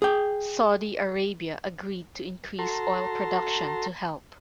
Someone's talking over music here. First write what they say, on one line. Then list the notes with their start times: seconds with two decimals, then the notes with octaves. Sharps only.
Saudi Arabia agreed to increase oil production to help.
0.02 G#4 G5
2.59 F#4 A4 A5 A#5 C6